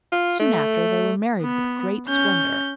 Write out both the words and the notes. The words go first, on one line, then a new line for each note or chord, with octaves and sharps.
Soon after, they were married with great splendour.
F4
A3
B3
C#4 G6